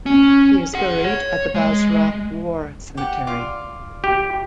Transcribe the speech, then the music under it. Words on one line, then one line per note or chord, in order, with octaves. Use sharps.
He is buried at the Basra War Cemetery.
C#4
G#4 F#5
C#5
G#3
G4 F#5
F4 D5 D6
G4